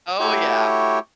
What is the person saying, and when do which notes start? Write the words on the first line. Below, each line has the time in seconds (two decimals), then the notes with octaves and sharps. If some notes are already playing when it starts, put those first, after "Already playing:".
Oh, yeah.
0.20 A3 E4 F#4 G4 C#5 G5